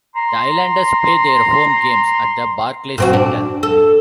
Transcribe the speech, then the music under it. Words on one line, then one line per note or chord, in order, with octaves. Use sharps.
The Islanders play their home games at the Barclays Center.
A#5 C6
A#2 C4 F#4
D4
A4